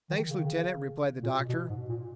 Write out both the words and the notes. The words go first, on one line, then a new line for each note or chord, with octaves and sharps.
"Thanks, Lieutenant," replied the Doctor.
D#3
C#3
D#3
C#3
A#2
B2
B2
G#2
A#2